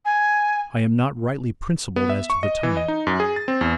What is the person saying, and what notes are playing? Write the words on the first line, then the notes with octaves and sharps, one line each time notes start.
I am not rightly principled as to the time.
G#5
B3
E5
C#6
D#5
E3
D#5
D#4
F#2
G#4
A6
C4
E2